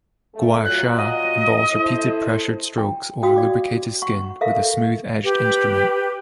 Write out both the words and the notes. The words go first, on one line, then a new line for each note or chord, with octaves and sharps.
"Gua sha" involves repeated pressured strokes over lubricated skin with a smooth edged instrument.
A3
A#2 F#3 F4 F#6
D#5
E4 A4 C5
G5
F#4 F5 G5 D#6
D5 G5 D6
F#5 C#6
A4 A#4 E5 F5
G4 B4